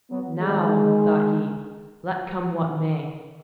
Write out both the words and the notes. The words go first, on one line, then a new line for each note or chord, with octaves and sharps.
"Now," thought he, "let come what may."
F#3 B3
D#3 G#3